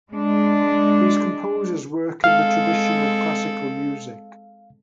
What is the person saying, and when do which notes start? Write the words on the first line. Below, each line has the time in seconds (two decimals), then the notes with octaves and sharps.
These composers work in the tradition of classical music.
0.10 G#3 D4
2.24 G#3 C4 A4 F5